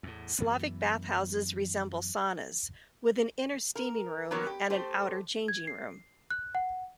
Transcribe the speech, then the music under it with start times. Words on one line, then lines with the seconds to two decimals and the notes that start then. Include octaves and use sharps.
Slavic bathhouses resemble saunas, with an inner steaming room and an outer changing room.
0.03 E2 A2
0.39 F#2 E3 B3
3.75 A#4
4.31 D#3 F#3 A#3 B3 A#4 C#5
4.47 G4
4.70 A3 G4 C5
5.48 G#6
5.67 C7
6.30 F#6
6.55 F#5